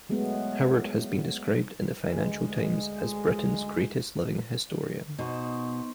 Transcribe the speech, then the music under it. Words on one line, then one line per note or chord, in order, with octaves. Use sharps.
Howard has been described in the "Financial Times" as "Britain's greatest living historian".
F#3 G#3 A3 B3
D2 G#3
B2 D#4 C5 C#6